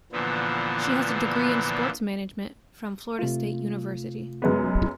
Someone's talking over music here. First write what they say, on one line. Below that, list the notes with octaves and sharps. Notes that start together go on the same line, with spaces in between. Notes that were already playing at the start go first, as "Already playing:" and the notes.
She has a degree in sports management from Florida State University.
A#2 D3 E3 F3 B3
C3 A3 F4
F#2 G#3 B3